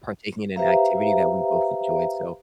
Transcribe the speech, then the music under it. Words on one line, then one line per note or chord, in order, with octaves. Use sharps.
partaking in an activity that we both enjoyed, so
G4 B4 C5 E5 F5 A#5